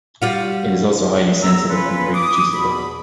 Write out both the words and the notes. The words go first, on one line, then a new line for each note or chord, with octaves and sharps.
It is also highly sensitive and reproducible.
G3 F4 F#4
E2 A#5 E6
C#4 F4 A4 B4
D6 D#6
E2 B2 B5